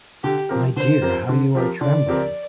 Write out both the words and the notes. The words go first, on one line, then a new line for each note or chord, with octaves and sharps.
My dear, how you are trembling!
D3 G4
F3 C4 G4 A#4
D3 C5
F3 C4 G4 A#4
D3
F3 C4 G4 A#4
D3 D5
F3 C4 G4 A#4